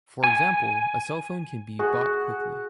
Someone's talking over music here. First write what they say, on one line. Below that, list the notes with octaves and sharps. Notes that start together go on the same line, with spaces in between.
For example, a cell phone can be bought quickly.
G#5
F#4 G#4